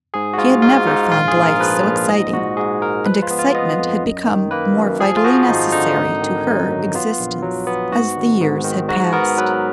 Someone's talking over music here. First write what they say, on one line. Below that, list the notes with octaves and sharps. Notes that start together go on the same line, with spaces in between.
She had never found life so exciting and excitement had become more vitally necessary to her existence as the years had passed.
G#2 G#4
F#4
G#2 F4
G#2 F4
G#2 D#4
A#1 F4
G#4
A#1
A#4
F3 B4
A#2
G#2 D#5
G#2 F#4
G#2 G#4
G#3 A#4
F3 B4
F4
B3
F4
B3 D#5
F2
F#2
D#3
A#3 B4
F#2
F3 G#4
F4
F3 F#4
G#1 D#4
D3 D#4
G#1
D#3
F#2
F#3
B3 F4
A#1
F#3
B3
G#2 F#4
G#1
G#2
D#3
G#2 F#4
B3 A#4
F#3 B4